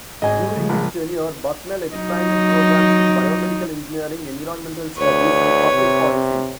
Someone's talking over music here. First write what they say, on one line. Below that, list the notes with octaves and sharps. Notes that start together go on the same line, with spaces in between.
During his tenure, Bucknell expanded programs in biomedical engineering, environmental studies, and public policy.
G#1 D#5 G#5
G3
C#3 F3
A#1 G#3
F#3 D#4
D2 B4 C#5
C3